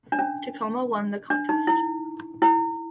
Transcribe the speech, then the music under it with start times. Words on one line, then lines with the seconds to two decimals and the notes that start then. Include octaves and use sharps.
Tacoma won the contest.
0.12 D4
0.19 C#4
1.30 D4
1.49 D#4
1.67 E4
2.42 E4